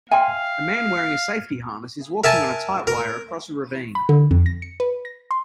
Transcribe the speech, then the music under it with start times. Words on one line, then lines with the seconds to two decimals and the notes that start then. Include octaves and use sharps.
A man wearing a safety harness is walking on a tight wire across a ravine.
0.11 E5 F5 G5 G#5 C6
2.24 A#4 E5 G#5 A5
2.87 A#4
3.95 B5
4.09 D3
4.31 F2
4.46 A#6
4.62 C#7
4.80 B4
5.05 A#6
5.31 C6